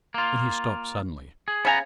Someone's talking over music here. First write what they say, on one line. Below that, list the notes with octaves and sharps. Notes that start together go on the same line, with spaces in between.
Then he stopped suddenly.
A#3 F4
G#4
C#3 B3 E5 G#5 A#5